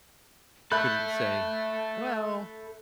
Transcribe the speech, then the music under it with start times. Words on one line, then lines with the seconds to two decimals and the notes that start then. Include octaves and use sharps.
you couldn't say, "Well,
0.72 A4 E5 B5 F#6 G6